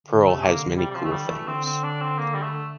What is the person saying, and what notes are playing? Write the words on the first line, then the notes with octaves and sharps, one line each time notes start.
Perl has many cool things.
D3
A3
C3
A#3
D3
C3 G3
G3
C3 F3
D3 A3
G3
E3
A3
D3 C4
C4
D4
C4
A#3
G3
A3